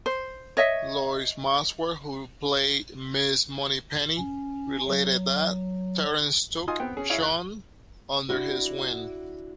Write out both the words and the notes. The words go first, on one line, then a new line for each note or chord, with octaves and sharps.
Lois Maxwell, who played Miss Moneypenny, related that Terence took Sean under his wing.
C5
C#5 D#5 E5
C#4
F#3
D#4 F4 G#5 C6 D#6
B3 C4 G5
C#4 G#4
E4 G#4 C#5 F5
F#6
D4 E4 F#4